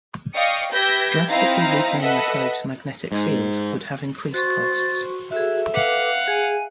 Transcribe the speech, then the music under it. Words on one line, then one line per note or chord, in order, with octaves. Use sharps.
Drastically weakening the probe's magnetic field would have increased costs.
D5 D#5 F5 G5 C#6 D#6
G4 B4 E5 G6 G#6 A#6
C4 D#4 E4 F5 A#5
A4 B4 D#5 E5 F#5
G#2
F#4 C5 C#6 A6
F#4 G#4 A4 E5
B4 F5 F#5 D6
G#4 G#5